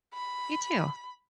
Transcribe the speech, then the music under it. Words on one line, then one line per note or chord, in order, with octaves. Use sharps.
Me too.
B5